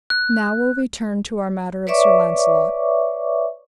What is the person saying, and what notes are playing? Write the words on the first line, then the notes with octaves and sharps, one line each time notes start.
Now will we turn to our matter of Sir Launcelot.
F#6
B4 C#5 D5 E5 C#6 D6